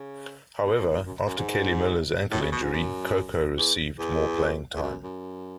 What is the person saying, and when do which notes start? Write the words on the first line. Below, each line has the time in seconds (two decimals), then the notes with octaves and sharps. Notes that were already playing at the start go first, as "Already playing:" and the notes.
However, after Kelly Miller's ankle injury, Coco received more playing time.
Already playing: C#3
0.65 B2
0.75 B2
0.86 A2
1.06 F#2
1.26 F#2
1.38 G#2
2.31 A2
2.41 C#3
2.52 B2
2.62 G#2
2.73 F#2
3.58 E2
3.99 E2
4.76 E2
4.82 F#2
5.03 F#2